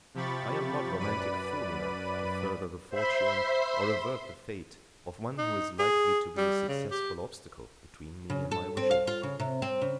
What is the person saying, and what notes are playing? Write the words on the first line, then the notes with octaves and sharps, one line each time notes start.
I am not romantic fool enough to further the fortune, or avert the fate, of one who is likely to be a successful obstacle between me and my wishes.
C3 F3 G4 B5 C#6 A6
F#2 B4 D5 B5 D#7
C5 E5 B5 C6
D#4
G#4
G3
C#3
G4
C#3
A4
C4
F5
F4
C#3
C3
C4
C#3